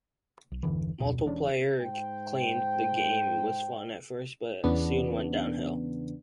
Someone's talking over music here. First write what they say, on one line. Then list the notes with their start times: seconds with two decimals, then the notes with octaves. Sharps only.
Multiplayer claimed the game was fun at first, but soon went downhill.
0.52 B1
0.63 G1 E2 D3 E3
1.00 D1 F2 B2
1.26 E1 E2 C#4 D4
1.80 G#2 C5 G5
4.64 E2 C#3 B3 D4